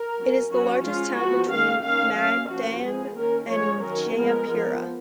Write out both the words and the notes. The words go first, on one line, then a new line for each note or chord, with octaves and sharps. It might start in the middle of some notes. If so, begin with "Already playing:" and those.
It is the largest town between Madang and Jayapura.
Already playing: A#4
F#3 C#4
F#3 C#4 F#4
F3 G#3 C#4 F4
F3 B3 F#4
D#3 G#3 C#4 F5
D#3 A#3 C#4 F5
F#3 C#4 F5
F3 A#3 C#4 F#4
F3 G#3 B3 G#4
D#3 A#3 C#4 A#4
F3 G#3 C#4 C#5
D#3 F#3 C#4 A#4
F3 G#3 B3 A#4
F3 B3